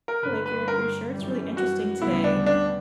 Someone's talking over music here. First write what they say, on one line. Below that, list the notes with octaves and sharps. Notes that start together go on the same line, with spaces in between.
like your your shirt's really interesting today."
A#4
G1 G2 D3 B4
B4
A#4
F#2 E3 G3
F#4
D2 C#3 G3 B3 E4
D4
D4